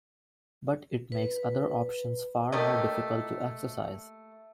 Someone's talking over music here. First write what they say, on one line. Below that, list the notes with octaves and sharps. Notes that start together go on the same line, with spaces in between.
But it makes other options far more difficult to exercise.
B4
A3 A#3 G4 D#5